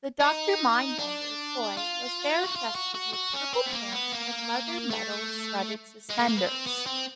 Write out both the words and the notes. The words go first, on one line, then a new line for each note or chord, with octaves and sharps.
The Doctor Mindbender toy was bare chested with purple pants and leather metal-studded suspenders.
D#4
D4
F4
F#4
F4
F#4
F#4
F#4
C#4
C4
B3
A#3
B3
A#3
A3
G#3
A3
A#3
B3
C4
B3
C4